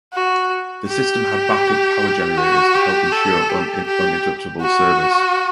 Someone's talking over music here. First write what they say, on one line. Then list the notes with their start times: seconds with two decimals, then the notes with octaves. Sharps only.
The system had back-up power generators to help ensure un-interruptible service.
0.13 F#4
0.87 G4
2.37 F#4
2.74 G4
3.12 A4
3.49 G4
3.87 G4
4.61 F#4